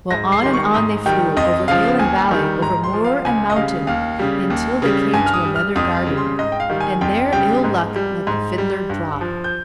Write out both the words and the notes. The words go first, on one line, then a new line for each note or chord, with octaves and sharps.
Well; on and on they flew, over hill and valley, over moor and mountain, until they came to another garden, and there Ill-Luck let the Fiddler drop.
G#2 A#6
C7
D#3 G3 C6
C#6
G#2 D#6
D#3 G3 G5
F2 D#5
C#3 F3 F5
D#2 G#5
D#3 G3
G#2 A#5
C6
F3
F5
C#2 G#5
D#5
C#3 G3 F5
D#2 F5
C#3 G3
D#2
C#3 G3
G2 G#5
F6
D#6
G3
F6
F2 D#6
C#3
G3
C6
G#2 D#5
G5
F5
D#3 G3
G#5
F2 G5
C#3 G3 G5
G#2
G3
G#2
G3
G2
F3
G6